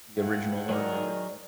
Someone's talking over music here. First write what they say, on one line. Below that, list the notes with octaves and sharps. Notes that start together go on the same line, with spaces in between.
The original, one of the original.
G2 E4 F#5
D#3 F#3 G#4 A#4 D5